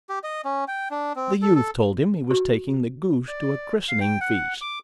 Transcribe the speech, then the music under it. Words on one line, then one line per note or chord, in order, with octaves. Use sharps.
The youth told him he was taking the goose to a christening feast.
G4
D#5
C#4
G5
D4
C4
A4
A4
F#4
D5
F5
G5
F#5
D6